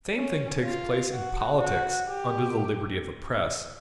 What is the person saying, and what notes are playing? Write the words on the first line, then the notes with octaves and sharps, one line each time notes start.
The same thing takes place in politics under the liberty of the press.
C#4
F4
F#4
F#4
G4